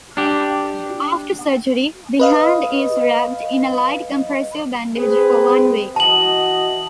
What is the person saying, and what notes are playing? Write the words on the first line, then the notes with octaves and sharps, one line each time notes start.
After surgery, the hand is wrapped in a light compressive bandage for one week.
D4 G4
B4 D#5 F5
C4 G#4 B4
E3 F#4 D#5 A5 F#7